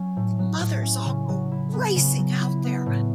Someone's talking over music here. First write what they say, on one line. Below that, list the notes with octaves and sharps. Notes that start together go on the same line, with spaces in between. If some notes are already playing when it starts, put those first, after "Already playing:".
The mothers all go racing out there
Already playing: F#3 C#4
A2
F#3
A2
C#4
C#3
F#3
E4
B3
C#3
F#3
E4
B3
A2